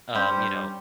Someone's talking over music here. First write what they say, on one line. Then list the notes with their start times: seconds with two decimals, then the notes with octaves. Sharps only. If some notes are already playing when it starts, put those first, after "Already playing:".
Um, you know.
0.15 G2 G3 C#4 C5